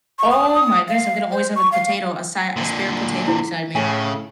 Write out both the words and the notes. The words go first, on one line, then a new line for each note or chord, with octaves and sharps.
Oh my goodness, I'm gonna always have a potato, as si a spare potato beside me.
C#6
D#6
F5
C5
C#6
F5
A#2 D3
E4
A2 C#3 G#5